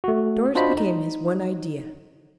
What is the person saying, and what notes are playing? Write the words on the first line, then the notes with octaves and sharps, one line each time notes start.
Doris became his one idea.
A3 F#4
D4 F4 F#4 C5 D#5 B5
D#4